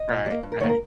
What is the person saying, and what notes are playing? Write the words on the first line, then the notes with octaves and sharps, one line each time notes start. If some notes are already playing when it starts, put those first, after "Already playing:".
Right, right.
Already playing: D#5
A#2
G3
A#3
G2
A#4
D#3 A#3 C#5
A#4